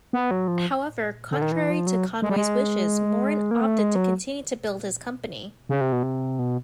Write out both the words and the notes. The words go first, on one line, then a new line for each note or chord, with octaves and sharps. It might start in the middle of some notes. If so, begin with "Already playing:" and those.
However, contrary to Conway's wishes, Morin opted to continue to build his company.
B3
F#3
F3
D3
D#3
E3
F3
F#3
G#3
G3
G#3
A#3
A3
G#3
F#3
C#3
C3
B2
C3
B2